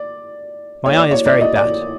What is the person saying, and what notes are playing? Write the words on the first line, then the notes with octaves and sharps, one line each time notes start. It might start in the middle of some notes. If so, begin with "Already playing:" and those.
My eye is very bad.
Already playing: D5
C#5
D5
C#5
D5
D#5
D5